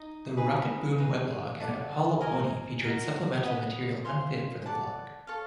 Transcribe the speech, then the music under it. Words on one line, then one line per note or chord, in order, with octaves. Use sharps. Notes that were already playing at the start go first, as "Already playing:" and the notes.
The Rocketboom weblog and Apollo Pony featured supplemental material unfit for the vlog.
Already playing: D#4 D#5
D#4 G#4 B4
D#4 G#4 B4
A4 D5 F#5
A#4 D#5 G#5
F#4 A#4 D#5
B4 D#5 F#5
C5 F5 G#5 C6
A4 D5 F#5 A5
A4 C#5 F5